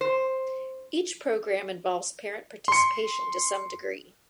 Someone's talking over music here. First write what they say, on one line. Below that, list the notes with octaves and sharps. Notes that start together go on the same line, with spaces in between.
Each program involves parent participation to some degree.
C5
C6 C#7